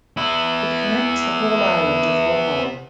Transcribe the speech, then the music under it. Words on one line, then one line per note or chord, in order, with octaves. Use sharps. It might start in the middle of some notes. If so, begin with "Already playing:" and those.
It connects the whole island of Bohol.
B3 E4